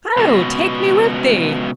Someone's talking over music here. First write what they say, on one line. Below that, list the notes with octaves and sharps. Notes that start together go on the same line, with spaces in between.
'Oh! take me with thee!'
C#2 B2